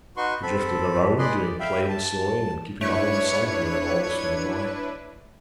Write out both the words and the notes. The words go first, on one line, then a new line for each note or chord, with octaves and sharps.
She drifted around, doing plain sewing and keeping a home somewhere always for the boy.
D#4 F#4 B4 C6 C#6
C4 A4 B5
G#4 B4 D5 D#5 B5 C6
D5
E5 F5 G5 B5
A5
A3 D4 E4 B4 C#5